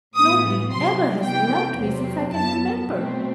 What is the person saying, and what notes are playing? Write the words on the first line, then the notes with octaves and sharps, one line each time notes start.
Nobody ever has loved me since I can remember.
A2 E3 B3 D#6
C3 F#3 C4 C6
C3 E3 B3 G5
E2 C3 F#3 C4
F#2 F#3 B3 A5
B2 F#3 A3 C4